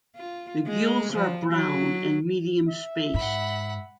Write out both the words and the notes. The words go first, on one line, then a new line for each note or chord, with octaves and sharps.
The gills are brown and medium spaced.
F4
G#3
F3
F#3
E5
G#2 F#5 B5